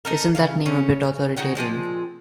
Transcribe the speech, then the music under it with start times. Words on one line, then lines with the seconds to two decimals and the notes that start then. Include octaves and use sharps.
Isn’t that name a bit authoritarian?
0.05 D#4 A4 A#4
0.35 C#3 F#3 F5
0.66 C#3 C#4
1.36 C#3 D#4 F#4 G5
1.55 A#2 F3 G#3 C4